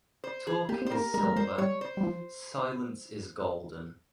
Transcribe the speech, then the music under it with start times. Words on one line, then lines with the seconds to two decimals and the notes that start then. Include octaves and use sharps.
Talk is silver, silence is golden.
0.24 C5
0.47 G#4
0.69 A#3 G4
0.82 C4 C5
0.91 A#3 A#4
1.14 G#3 A#4
1.23 G3
1.33 G#3
1.36 C5
1.58 G3 C#5
1.81 C5
1.97 G3
2.03 F3